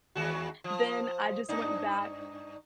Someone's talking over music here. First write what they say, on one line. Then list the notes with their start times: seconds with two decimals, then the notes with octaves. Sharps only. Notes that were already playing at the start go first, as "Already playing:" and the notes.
then, I just went back,
0.15 D#2 G#3 F#4
0.64 F3
1.49 G2 D4 D#4